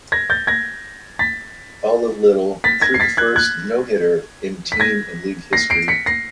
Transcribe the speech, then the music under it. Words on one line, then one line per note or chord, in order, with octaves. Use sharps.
Olive Little threw the first no-hitter in team and league history.
G#6 A#6
G6 A6
G#6 A#6
A6 B6
A6 B6
G#6 A#6
C7
A6 B6
F#6 G#6
F#6 G#6
B6
G#6 A#6
A#6 C7
C7 D7
B6 C#7
A#6 C7